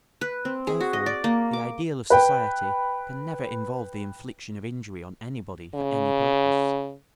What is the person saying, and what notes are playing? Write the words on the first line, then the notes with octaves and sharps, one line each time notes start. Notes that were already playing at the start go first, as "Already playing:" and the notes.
Therefore the ideal of society can never involve the infliction of injury on anybody for any purpose.
B4
C4
G#4
F#4
D#5
D5
A#3
D6
B4 G5
C#3